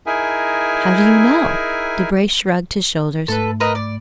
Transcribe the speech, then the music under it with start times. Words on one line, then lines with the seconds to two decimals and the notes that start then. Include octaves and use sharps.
"How do you know?" Debray shrugged his shoulders.
0.06 D#4 E4 G#4 A#4 E5 G#5
3.28 G#2 A3 A4 B4
3.60 A#4 B4 D#5
3.75 D5